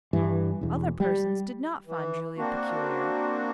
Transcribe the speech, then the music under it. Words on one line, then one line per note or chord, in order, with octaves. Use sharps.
Other persons did not find Julia peculiar.
G2 E3
E1 E2
G3
E3
A#3 C4 D4 F#4